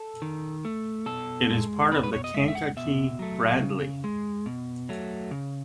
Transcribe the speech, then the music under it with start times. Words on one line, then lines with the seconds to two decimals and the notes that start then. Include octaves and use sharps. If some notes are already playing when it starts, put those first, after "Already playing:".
It is part of the Kankakee-Bradley.
Already playing: A4
0.22 D#3
0.65 A3
1.06 B2 A4
1.49 G#3
1.91 B2 B4
2.03 B4
2.13 C#5
2.24 D#5
2.34 G#3 E5
2.48 E5
2.55 F#5
2.77 B2 E5
3.19 F#3 A3
3.61 C#3
4.04 G#3
4.46 B2
4.89 F#3 A3
5.31 C#3